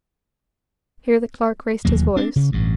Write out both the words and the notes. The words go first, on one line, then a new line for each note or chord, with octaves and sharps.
Here the Clerk raised his voice.
E1 D#2 F#3 A#3
C4 D4
C#3
A1 G2